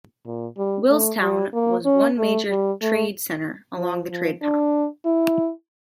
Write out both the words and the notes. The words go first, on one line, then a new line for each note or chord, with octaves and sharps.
Willstown was one major trade center along the trade path.
A#2
G3
A3
G3
A#3
C#4
A3
G3
A3
F3
F3
D4
E4